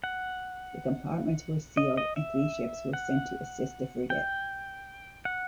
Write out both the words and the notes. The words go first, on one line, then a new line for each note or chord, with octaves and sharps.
The compartments were sealed and three ships were sent to assist the frigate.
F#5
D#5
D#5
E5
F#5
G5
F#5